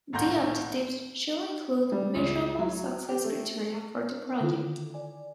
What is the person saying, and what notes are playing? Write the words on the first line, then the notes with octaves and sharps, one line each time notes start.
The objectives should include measurable success criteria for the project.
D#1 C2 A2 A#5 C6 G6
G3
C#2
F#3
G4
A3
D3 D#3 E4 F4 A4
D5 G#5